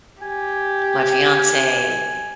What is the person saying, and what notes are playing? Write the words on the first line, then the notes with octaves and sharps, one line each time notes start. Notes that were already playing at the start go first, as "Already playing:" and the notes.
my fiance.
G4 G#5